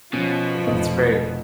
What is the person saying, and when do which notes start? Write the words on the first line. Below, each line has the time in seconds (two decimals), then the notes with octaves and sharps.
it it's great.
0.13 B2 F3 C#4
0.67 F1 A4 D#5